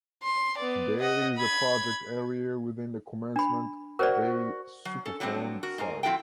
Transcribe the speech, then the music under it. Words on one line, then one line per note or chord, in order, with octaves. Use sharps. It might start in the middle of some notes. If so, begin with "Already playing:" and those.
Today it is a project area within the Commencement Bay Superfund site.
C6
B3 D5
D#5 F#5
B5 G#6
D4 B5
F#4 A#4 C5 D5
F#3
C#4 A4
F#3 G3 B3 C4 D4
F#4 A#4
G#2 A#3 A#4 G#5
F3 C4 E4 F#4 A4 G5